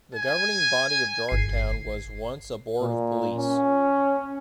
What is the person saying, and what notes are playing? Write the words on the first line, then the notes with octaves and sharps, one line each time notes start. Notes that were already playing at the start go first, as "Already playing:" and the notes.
The governing body of Georgetown was once a Board of Police.
G#5
G1 C7
A#2
C#4